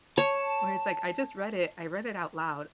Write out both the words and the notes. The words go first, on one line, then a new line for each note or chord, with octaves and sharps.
where it's like, I just read it, I read it out loud,
C#5 A5